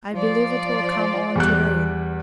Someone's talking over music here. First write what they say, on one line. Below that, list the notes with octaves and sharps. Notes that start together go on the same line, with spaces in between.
I believe it will come on to rain.
F3 D5
E2 G3 F#6